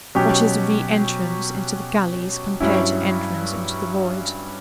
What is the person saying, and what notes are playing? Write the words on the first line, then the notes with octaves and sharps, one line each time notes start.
What is a re-entrance into the galleys, compared to entrance into the void?
B2 F#3 C#4 G4
G2 F#3 C#4 E4